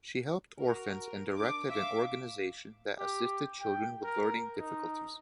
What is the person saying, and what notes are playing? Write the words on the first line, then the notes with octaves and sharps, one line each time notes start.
She helped orphans and directed an organisation that assisted children with learning difficulties.
F#4 A#4
D4 D6
E5 F5 D6
G4
G5
A#4
D#4